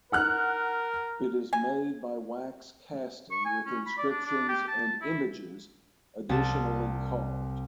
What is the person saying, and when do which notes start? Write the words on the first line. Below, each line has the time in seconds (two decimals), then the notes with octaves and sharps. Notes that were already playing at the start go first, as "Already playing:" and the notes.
It is made by wax casting with inscriptions and images additionally carved.
0.12 A#4 F#5 F6 F#6
1.53 G#5
3.31 C#6
3.45 G#5
3.66 C#4
3.86 B5
3.98 D5
4.10 D4
4.25 D4
4.48 G4
4.68 A5
5.02 E4
6.29 C2 A5